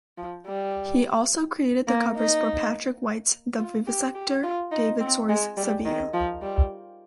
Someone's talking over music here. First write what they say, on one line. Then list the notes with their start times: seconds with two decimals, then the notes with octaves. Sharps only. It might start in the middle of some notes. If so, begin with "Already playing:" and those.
He also created the covers for Patrick White's "The Vivisector", David Storey's "Saville".
0.18 F3
0.46 G3
1.88 A#3
2.17 D#4
3.58 F4
3.87 G4
4.15 G4
4.43 F4
4.72 D#4
5.00 C4
5.29 G#3
5.57 G3
5.85 D#3
6.14 F3
6.42 G3